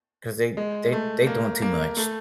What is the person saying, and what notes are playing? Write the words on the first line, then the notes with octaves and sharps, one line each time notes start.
'cause they they they doing too much.
G#3
A3
A#3
A#3
A3